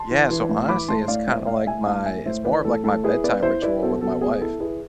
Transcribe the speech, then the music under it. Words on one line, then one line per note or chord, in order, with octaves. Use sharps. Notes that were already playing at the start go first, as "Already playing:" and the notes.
Yeah, so honestly, it's kinda like my It's more of like my bedtime ritual with my wife.
Already playing: A5 C6
E3
E3
A2
E3 B5 D6
A2 A5 C6
A2 D5 F5
A2 C5 E5
A2 D5 F5
A2 E5 G#5
A2 F5 A5
A2 E5 G#5
A2 C5 E5
E3 B4 D5
A2 A4
A2 A4
E4 G#4 B4
B3 B4 D5
E4 C5 E5
E4 B4 D5
B2 A4 C5
B2 A4
B3 G#4
E4 A4
E4 G#4 B4